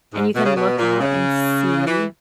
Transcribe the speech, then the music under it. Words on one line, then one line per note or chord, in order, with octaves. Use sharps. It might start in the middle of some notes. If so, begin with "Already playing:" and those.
and you can look out and see-
G#2
B2
C#3
B2
A#2
C#3
E3